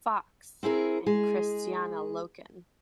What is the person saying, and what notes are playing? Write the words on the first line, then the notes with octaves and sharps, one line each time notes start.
Fox, and Kristanna Loken.
C4 E4 G#4 A#4
G#3 G#4